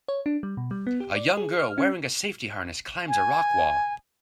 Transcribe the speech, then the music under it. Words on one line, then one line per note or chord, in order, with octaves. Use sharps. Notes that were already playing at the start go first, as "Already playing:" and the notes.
A young girl wearing a safety harness climbs a rock wall.
C#5
D4
G3
B2
G3
B3
G4
D5
G#4
F6
C#4
G#5